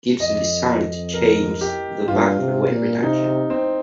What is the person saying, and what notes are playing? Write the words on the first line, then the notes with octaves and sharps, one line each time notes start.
Gibson decided to change the back for weight reduction.
F2 D#5
A#4
G4
G2 F4
C3
A#2
C3 D#4
C4